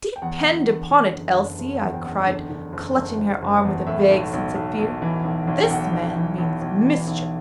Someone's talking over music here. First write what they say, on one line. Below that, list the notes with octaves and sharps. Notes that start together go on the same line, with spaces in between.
'Depend upon it, Elsie,' I cried, clutching her arm with a vague sense of fear, 'this man means mischief.
G5
E2 F#5
D3
E2
D3
F#1
F#1
F#1
E2
G5
F#1 F#5
D3
D3
F#1
F#1
F#1
F#1
E2
A2 E5
B1
B1
B1
B1
E3
B1
B1
G5
B1 F#5
B1
E3
B1
B1
E3
B1